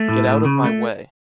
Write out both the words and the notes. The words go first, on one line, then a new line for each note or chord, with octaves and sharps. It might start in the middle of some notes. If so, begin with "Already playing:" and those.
Get out of my way.
Already playing: A3
A2
A2
C#3
A3